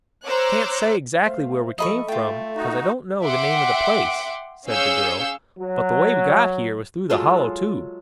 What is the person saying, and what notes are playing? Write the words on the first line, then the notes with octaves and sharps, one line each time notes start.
"I can't say, exac'ly where we came from, cause I don't know the name of the place," said the girl, "but the way we got here was through the Hollow Tube."
C5 C#5 A#5 D6 E6 F#6
A3 C5 E5 F5
F3 A4 D#5 E5 B5 C#6
A3 F4 G5
D#4 F#4
E5 F#5 G5 C6 D6
C#4 G#4 F5 E6 G6 C#7
F#3
F#3 G#3 F4 A4